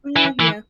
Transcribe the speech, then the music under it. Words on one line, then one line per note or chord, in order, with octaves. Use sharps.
Yeah, yeah.
E3
E3